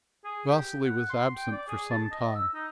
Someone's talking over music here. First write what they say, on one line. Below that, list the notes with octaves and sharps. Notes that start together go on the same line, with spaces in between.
Vasily was absent for some time.
G#4
G4
F#5
C6
G5
D5
G#4
A5
D#5
E6
D#4